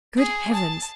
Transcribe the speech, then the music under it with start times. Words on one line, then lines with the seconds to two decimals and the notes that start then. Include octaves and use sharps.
Good heavens!
0.17 G#4
0.53 A5